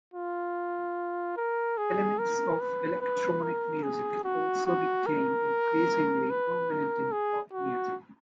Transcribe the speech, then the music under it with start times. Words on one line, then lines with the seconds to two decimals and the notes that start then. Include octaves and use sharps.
Elements of electronic music also became increasingly prominent in pop music.
0.14 F4
1.37 A#4
1.78 G#4
2.19 A#4
2.60 B4
3.01 B4
3.42 A#4
3.83 G#4
4.24 F#4
4.66 F#4
5.06 A#4
6.30 B4
6.71 A#4
7.12 G#4
7.53 F#4